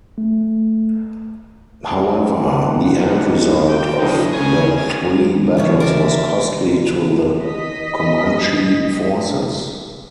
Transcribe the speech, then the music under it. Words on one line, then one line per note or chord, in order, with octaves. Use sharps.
However, the end result of the three battles was costly to the Comanche forces.
A3
D#3 F#5
F#2 D#3 D#4
G5
A2 D3 E3 F#3 D#5
C#4 G#4 C#5 G#5
C3 E3 B3 C#4
A#4 D5 E5
D#5 B6